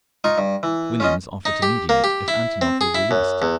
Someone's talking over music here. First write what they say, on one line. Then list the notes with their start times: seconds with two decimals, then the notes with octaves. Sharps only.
Williams offered to mediate if Antonov were released.
0.24 D#4 F4 C#6
0.38 G2
0.63 E3
1.00 C#4 F4 D#5
1.45 D#4
1.62 G4
1.89 A#3
2.04 G4
2.28 E4
2.61 C4
2.81 G#4
2.95 E4
3.11 F#2
3.42 E2